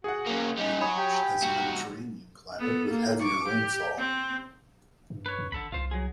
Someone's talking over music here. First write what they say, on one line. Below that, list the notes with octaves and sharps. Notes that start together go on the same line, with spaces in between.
Larache has a Mediterranean climate with heavier rainfall.
F#4 G#4 F#5
A#3 C#4
G3 C#4 D#4
F#4 C#5 G#5 B5 D#6
G4
C2 F#4
B3 A4
A#3
C#6 D6
G4
C4
G2
B4 C#5
F#2
G#1 D3 A4 B5
C2 F4 C5
F#3 G#4